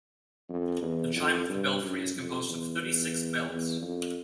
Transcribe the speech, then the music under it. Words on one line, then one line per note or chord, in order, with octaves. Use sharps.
The chime of the belfry is composed of thirty-six bells.
F2
E2
F2
G2
F#2
F2
E2
E2
E2
F2